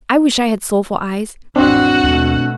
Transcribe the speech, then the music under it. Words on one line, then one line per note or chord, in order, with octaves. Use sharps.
I wish I had soulful eyes.
A1 F2 C4 D4 F#4 F#5
D#2 B2 A3